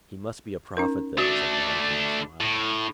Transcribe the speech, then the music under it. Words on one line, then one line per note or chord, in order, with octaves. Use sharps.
"He must be a prophet, then," said Valentine, smiling.
C#4 D#4 A#4
A3 D4 F#4 D#6 A6
A2